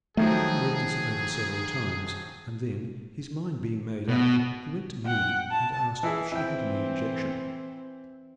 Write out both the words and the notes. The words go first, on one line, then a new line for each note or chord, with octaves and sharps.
Adam read this over several times, and then, his mind being made up, he went to Mimi and asked if she had any objection.
D#3 F3 F#3 A3 G#4
B2
F#5 G5
A5
E3 E4 G#4
E3 C4 E4 G5